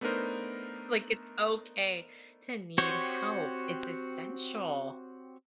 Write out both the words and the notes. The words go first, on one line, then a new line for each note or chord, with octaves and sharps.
Like, it's okay to need help, it's essential.
A3 B3 D4 D#4 A#4 C5
C4 F#4 G4 C5 C#5